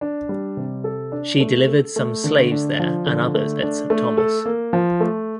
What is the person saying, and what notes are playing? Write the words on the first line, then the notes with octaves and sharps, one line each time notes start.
She delivered some slaves there and others at St Thomas.
D4
G3
C3
A4
D4
A3
A4
A3
D3
D4
F3
D3
A3
D4
A3
A4
A#3
F3
A3